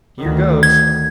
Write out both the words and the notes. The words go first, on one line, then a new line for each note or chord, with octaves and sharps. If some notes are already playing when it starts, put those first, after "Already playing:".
"Here goes!"
D2 D#3
G#6